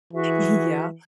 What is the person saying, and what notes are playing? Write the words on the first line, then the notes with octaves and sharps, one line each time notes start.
Y yeah,
E3 F#4 G#4 E5